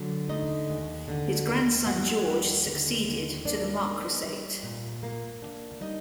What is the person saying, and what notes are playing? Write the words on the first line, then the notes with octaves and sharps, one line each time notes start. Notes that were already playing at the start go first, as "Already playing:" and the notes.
His grandson George succeeded to the marquessate.
Already playing: D3 F#3
A3 D#4 D#5
D#2
D3
D#2
G3 F#4 F#5
D#2
D3
D#2
A#3 D4 D5
D#4
G3
A#2
A#3
D4
G3 D#4 D#5